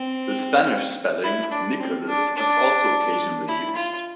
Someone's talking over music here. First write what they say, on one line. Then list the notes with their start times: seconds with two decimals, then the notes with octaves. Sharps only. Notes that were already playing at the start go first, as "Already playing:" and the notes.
The Spanish spelling, "Nicolas" is also occasionally used.
Already playing: C4
1.23 E4
1.51 D4
1.80 C4
2.08 D4
2.36 D4
3.48 E4
3.76 F4